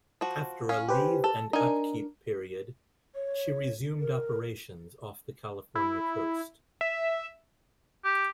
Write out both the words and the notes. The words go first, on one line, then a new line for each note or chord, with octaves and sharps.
After a leave and upkeep period, she resumed operations off the California coast.
F3 F#4
C#4 F5
G4 B4 C5
A4
D4 D#4 A#4 G#5
C#5
A#4
E4
E5
G4